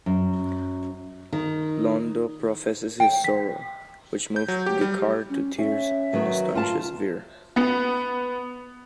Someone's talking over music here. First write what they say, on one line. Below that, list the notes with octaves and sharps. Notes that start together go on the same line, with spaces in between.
Londo professes his sorrow, which moves G'Kar to tears and astonishes Vir.
F#2
D#3
G5
B6
G6
F#3
G4
G3
C#4
C#4 E5
D#3 F#3 B3
F4 A5
B3